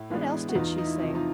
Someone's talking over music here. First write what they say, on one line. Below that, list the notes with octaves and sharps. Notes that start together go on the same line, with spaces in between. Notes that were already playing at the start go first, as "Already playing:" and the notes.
"What else did she say?"
Already playing: A2 E4
E3 G#3 B3 D4
F#4
E2 D#4 F4
D#4
E4
C3 F3
D#4 F4